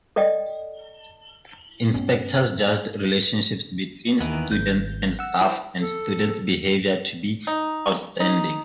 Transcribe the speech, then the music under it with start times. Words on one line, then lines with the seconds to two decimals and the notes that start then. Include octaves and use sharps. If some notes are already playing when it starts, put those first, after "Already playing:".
Inspectors judged relationships between students and staff and student behaviour to be "outstanding".
0.16 A4 D5 D#5 G5
1.94 G2 B3 C#4
4.21 D#2 D#3 E3 B3
4.51 G#1 G6
5.19 F#5 E6
5.41 E4 C5
5.80 A4
7.47 D#4
8.20 D#4